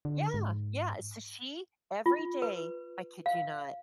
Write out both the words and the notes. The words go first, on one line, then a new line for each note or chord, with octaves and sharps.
Yeah, yeah. So she- every day, I kid you not,
D3
G#2
F4
B4
F5